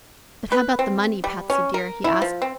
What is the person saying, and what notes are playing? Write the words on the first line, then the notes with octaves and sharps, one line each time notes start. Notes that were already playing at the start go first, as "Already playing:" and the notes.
"But how about the money, Patsy dear?" he asked.
B4
C4
G3
C#4
A#4
E4
F3
C4